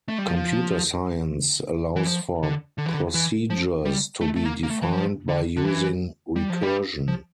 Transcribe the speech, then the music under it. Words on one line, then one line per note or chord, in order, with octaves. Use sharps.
Computer science allows for procedures to be defined by using recursion.
A3
G3
F3
E3
F3
D3
D3
E3
D3
E3
F3
G3
A3
A3
A#3
A#3
A3
E3
F3
D3
D3
E3
G3
F3
G3
F3